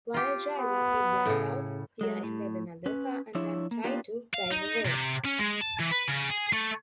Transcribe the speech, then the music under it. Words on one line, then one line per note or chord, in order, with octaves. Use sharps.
While driving, he blacked out, rear-ended another car, and then tried to drive away.
F4 G4
B3
A2 C#3
F#3 G#3
A2
C#4 B4
F3 D4 E4 C#5 E5
A#3
A#3 B3 D4 F4 G4
F5
D#4
C3
C#4
G#3
A5
E3
B4
C#3
G#4
A3